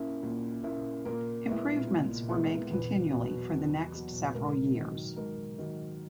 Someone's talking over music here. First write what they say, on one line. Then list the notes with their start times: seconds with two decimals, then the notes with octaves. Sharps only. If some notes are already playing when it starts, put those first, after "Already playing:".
Improvements were made continually for the next several years.
Already playing: A#2 A#3 C#4 E4
0.23 A#2
0.64 A#3 C#4 E4
1.05 A#2 A#4
1.47 G#3 B3 E4
1.87 A#2
2.28 G#3 B3 E4
2.70 E2 B4
3.11 B2 F#3
3.52 E2
3.94 B2 F#3
4.34 G#2 A#4
4.75 D#3 F#3
5.16 G#2 A#4
5.58 D#3 F#3